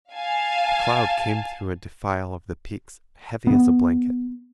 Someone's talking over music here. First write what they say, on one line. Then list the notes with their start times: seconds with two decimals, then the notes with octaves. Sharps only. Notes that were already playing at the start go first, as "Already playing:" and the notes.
A cloud came through a defile of the peaks heavy as a blanket.
0.11 F5 G#5 A5
3.47 B3